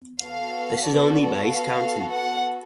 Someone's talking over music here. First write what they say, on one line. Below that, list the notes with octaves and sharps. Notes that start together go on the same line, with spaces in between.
This is only base counting.
B3 F#4 A4 F5
D5
F5
F#5